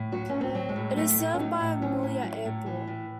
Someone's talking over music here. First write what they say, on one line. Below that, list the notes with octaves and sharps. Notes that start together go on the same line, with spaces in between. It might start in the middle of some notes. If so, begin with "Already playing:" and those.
It is served by Mouila Airport.
Already playing: A2
F#3 F#4
A2 C#4
C4
F#3
G#3
A2
F#3 A3
A2
C#4
F#3 D#4
A2
F#3 C#4
A2
F#3
A2
E3
A2